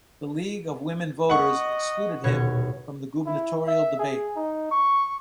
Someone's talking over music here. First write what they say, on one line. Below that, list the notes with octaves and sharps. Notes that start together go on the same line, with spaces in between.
The League of Women Voters excluded him from the gubernatorial debate.
D#5 F#5 C#6
D#1 B2 C#5
E4
E5
G#4
D#4
C#6